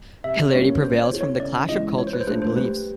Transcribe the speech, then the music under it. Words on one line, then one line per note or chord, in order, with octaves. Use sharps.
'Hilarity' prevails from the clash of cultures and beliefs.
C3 E5
E3 G3 A#3 C#4 C#5
B3 C5
C#5
E4 A4
C#5
C#3 D5
E3 G#3 B3 E4 D#5
F3 C#5
C5
B4
C5
A3 D4 F4 B4
C5
G3 B4